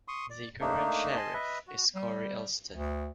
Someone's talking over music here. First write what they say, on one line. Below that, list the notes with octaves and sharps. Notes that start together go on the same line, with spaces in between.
The current Sheriff is Kory Elston.
C6 C#6 D#6
D5
A3 A#3 D4 D#4
D#5 G#5 A5 C6
B4 D#5 E5
F#4
G3
D2